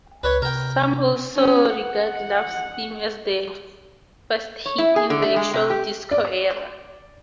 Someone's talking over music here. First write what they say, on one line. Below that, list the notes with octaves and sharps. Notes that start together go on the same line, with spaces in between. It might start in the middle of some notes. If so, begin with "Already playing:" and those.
Some also regard "Love's Theme" as the first hit in the actual "disco era".
C#2 B4 C#5
C3 A#4 G5
C#4
F#5
C#5
E4
G#4
D3
A3
G#3
C3
G4
D5